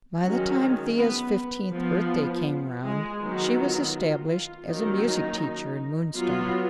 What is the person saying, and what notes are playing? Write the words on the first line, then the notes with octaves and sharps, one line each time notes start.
By the time Thea's fifteenth birthday came round, she was established as a music teacher in Moonstone.
D#3 F#3 G#3 C#4 F#4
B3 B4
F3 B3
G#3 G#4
D#3 F#3 B3
F4
F4
F4
D#3 F#3 A#3 C#4 D#4
D#4
F#3 B3 F4